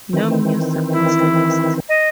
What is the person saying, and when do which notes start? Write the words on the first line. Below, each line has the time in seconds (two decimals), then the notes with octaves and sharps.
No music was lost.
0.13 D#3 E3 C4
0.92 E4
1.88 D#5